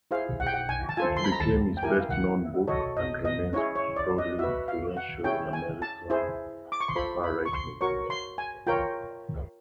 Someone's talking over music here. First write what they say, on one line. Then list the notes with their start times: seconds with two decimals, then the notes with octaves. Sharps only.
It became his best known book, and remains broadly influential in American far-right movements.
0.11 E4 G#4 C5 F5
0.40 F#5
0.47 G5
0.54 F#5
0.69 G#5
0.89 A5
0.97 F4 A4 C5 G#5
1.17 C6
1.24 B5
1.32 A#5
1.40 A5
1.77 G5
1.83 E4 G4 A#4 G#5
2.00 F5
2.11 F#5
2.68 F#4 A4 C#5 D#5
2.97 D#5
3.25 D#5
3.53 C#4 E4 G#4 C#5
3.76 C#5
3.96 D5
4.18 D#5
4.39 F#4 B4 E5
4.68 F5
4.97 F#5
5.24 C#4 E4 G#4 C#5 G5
5.53 G#5
5.82 A5
6.10 E4 G#4 C5
6.72 D6
6.80 C#6
6.88 C6
6.96 F4 A4 C5 B5
7.24 B5
7.45 C#6
7.53 C6
7.81 F#4 A#4 C#5 C#6
8.10 C6
8.38 G#5
8.67 F4 A#4 C#5 G5